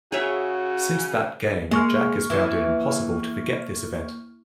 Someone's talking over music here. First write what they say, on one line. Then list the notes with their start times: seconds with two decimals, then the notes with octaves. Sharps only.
Since that game, Jack has found it impossible to forget this event.
0.12 C#3 F#4 G#4 C#5 E5
1.71 G#3 A#3 C#6 F6
2.30 E3